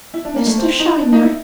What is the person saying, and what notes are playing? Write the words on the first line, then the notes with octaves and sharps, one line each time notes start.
"Mr. Shiner."
E4
D4
A#3
A3
C4
D#4
D4
D#4
E4